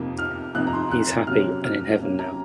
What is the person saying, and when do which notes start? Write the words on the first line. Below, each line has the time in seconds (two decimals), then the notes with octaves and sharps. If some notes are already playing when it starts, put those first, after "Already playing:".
He is happy, and in heaven now.
Already playing: F2 C3 F3 A#3 D#4
0.19 F6
0.55 F2 C3 F3 A#3 D#4 F#6
0.67 A#5
0.73 C6
0.91 F#6
1.27 C3 F#3 A#3 C#4 F6
1.64 F6
2.00 C3 F#3 A#3 C#4
2.19 A#5